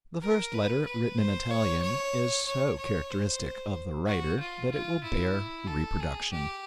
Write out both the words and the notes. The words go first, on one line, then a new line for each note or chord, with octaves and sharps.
The first letter, written in Italian, is so characteristic of the writer that it will bear reproduction.
A#4
B4
B4
C5
C#5
C#5
C#5
C#5
C5
F#4
F4
F4
E4
A4
G#4
G4